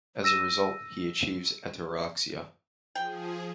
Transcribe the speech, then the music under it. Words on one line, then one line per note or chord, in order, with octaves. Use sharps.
As a result, he achieves ataraxia.
E6 A#6 D#7 E7
F3 G#4 G5